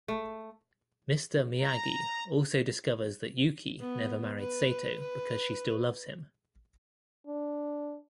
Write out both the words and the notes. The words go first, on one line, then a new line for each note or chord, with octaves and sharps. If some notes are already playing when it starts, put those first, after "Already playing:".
Mister Miyagi also discovers that Yukie never married Sato because she still loves him.
A3
A#5
B3
B4
B4
D4